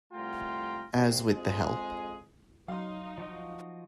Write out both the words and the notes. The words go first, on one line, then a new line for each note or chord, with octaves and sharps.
As with the Help!
C2 A3 F4 F#5 G5 A#5
C2 A#2 C4
F2 G#3 G#4
F#3 D#4 F5 C6
F3 F#4 D#5